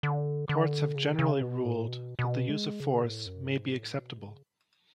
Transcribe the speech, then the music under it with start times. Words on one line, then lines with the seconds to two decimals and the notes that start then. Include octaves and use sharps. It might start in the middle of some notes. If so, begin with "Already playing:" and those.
Courts have generally ruled that the use of force may be acceptable.
0.03 D3
0.49 D3
0.95 C#3
1.19 C#3
1.41 B2
1.65 A2
1.88 B2
2.19 B2
2.49 G#3
2.80 C#3
3.03 A2
3.26 F#2
3.49 G#2
3.72 A2
3.95 B2
4.18 C#3